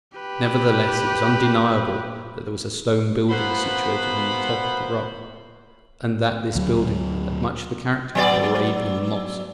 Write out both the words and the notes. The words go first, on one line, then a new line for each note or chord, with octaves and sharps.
Nevertheless, it was undeniable that there was a stone building situated on the top of the rock, and that this building had much the character of an Arabian mosque.
G4 B4
B2 A#3 B3 C5 F#5 B5
D2 F#3
F#3 B3 D5